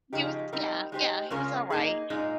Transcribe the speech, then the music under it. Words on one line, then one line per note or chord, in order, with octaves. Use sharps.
use Yeah, yeah, he was all right.
C#3 F3 G#3 D#4 G4
G3 C4 D#4 A#4
G#3 D#4 G4 C5
C#3 G#3 C#4 F4 A#4
A#3 D#4 G#4
A#2 G#3 D#4